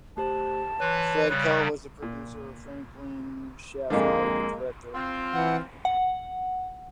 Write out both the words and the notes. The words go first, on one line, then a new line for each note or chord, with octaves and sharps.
Fred Coe was the producer and Franklin Schaffner the director.
A3 G4 C5 A5
E3 B4 C#5 C6
C#3 G3 F#6
A#2
F2 G#2 D3 G#3 A#3
C4 F4
E3 F#5
F#5